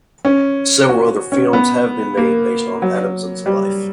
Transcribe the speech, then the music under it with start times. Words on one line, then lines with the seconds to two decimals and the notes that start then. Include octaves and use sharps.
Several other films have been made based on Adamson's life.
0.25 C#4
0.89 F#4
1.32 C#4
1.53 B3
2.17 A#3
2.82 F#3
3.46 G3